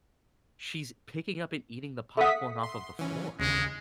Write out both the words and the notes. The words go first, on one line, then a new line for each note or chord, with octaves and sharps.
she's picking up and eating the popcorn off of the floor.
A4 E5 F#5 D#6 B6
C6
E3 C#4
D#2 C#3 G#3